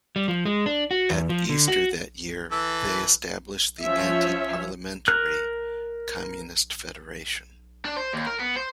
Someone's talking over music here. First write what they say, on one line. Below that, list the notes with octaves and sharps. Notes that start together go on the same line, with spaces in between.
At Easter that year they established the Anti-Parliamentary Communist Federation.
G3
F3
G#3
D4
F#4
E2
F3
D3
F#4
E3 A4
F3 C#4 C#5 E5
A#4 F#6
D4
C5
D#2
A#4
B3
C5